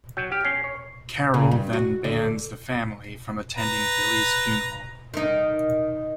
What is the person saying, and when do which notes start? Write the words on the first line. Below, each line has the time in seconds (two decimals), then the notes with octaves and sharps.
Carol then bans the family from attending Billie's funeral.
0.17 F#3 G6
0.32 G4 F6
0.45 C#4 C7
0.64 C#5
1.34 C#3
1.51 G2
1.73 F#4
2.04 D3
3.57 B4 A#5
5.14 D#3 D#4